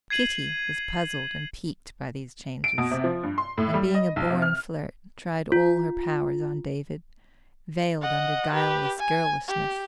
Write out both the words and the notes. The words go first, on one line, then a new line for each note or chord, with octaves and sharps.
Kitty was puzzled and piqued by these changes, and being a born flirt tried all her powers on David, veiled under guileless girlishness.
G#6 C7 D#7 F#7
D7
B2
C3
F3
G2
C6
A2
G3
D#5
B1
C3
F6
F4
D#5 F#5
G4 B4
G#5
G4